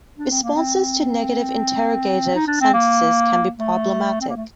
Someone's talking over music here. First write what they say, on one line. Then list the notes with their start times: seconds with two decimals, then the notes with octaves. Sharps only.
Responses to negative interrogative sentences can be problematic.
0.18 D4
0.31 C4
0.43 A#3
0.55 C4
2.35 D#4
2.47 D4
2.61 C4
2.73 A#3
3.59 A3
4.21 C4
4.29 A#3
4.36 A3